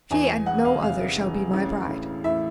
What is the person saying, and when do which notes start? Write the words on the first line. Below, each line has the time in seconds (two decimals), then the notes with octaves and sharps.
She, and no other, shall be my bride.'
0.11 E2 G#5
0.46 E1 F#5
0.65 F5
0.83 C3 F5
1.18 E1
1.53 A1
1.88 A2
2.24 A2 E5